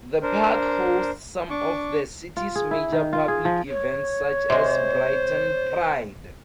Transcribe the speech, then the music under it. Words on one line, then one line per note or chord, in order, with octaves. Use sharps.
The park hosts some of the city's major public events such as Brighton Pride.
D4 A#4 C5
D4 C#6 D6
F4
G#4
E4
D#3
F4
G#4
F3
C#5
C3 G#3 C5